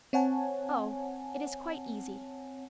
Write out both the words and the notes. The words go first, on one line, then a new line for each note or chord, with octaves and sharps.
'Oh, it is quite easy.
C4 C#5 F#5 G#5 A5